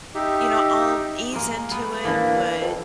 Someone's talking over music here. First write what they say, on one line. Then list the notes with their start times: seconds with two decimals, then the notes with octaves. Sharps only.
you know, I'll ease into it, but
0.15 D#4 G4 E5
1.33 G#3 A#3
1.71 B3
2.05 D3 E3 A#3
2.61 F2